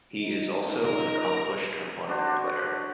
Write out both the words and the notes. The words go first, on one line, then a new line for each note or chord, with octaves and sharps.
He is also an accomplished harmonica player.
D#4
A#4
D4 F#4 C5